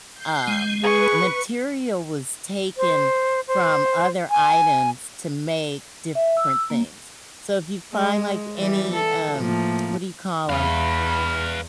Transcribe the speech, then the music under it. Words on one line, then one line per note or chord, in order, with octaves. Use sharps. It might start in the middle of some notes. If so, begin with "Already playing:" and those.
um, material was taken from other items to make different things. So if you find like any, um, what do you call 'em?
G6 C7
G#3
G#4 B4 C#6
C5
C5
G#5
E5
E6
A#3
G#3
E3 G3
A4
A2 F3 A#3
E2 B4 F5 B5